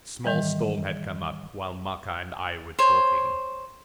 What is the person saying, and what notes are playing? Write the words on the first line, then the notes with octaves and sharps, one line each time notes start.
A small storm had come up while Maka and I were talking.
G#2 D#3 E3 G3
C5 C#5